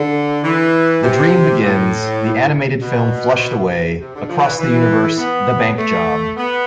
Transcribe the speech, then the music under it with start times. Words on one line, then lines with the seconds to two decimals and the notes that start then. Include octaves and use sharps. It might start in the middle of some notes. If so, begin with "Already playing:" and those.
The Dream Begins; the animated film Flushed Away; Across the Universe; The Bank Job.
Already playing: D3
0.44 E3
1.03 C3
1.62 A2
2.81 B2
4.00 C3
4.15 D3
4.29 F3
4.43 E3
4.59 E3
5.18 B3
5.78 A3
6.37 B3